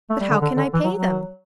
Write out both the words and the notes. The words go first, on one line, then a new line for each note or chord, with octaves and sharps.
"But how can I pay them?"
A3
G3
D3
D3
D3
E3
F#3
F#3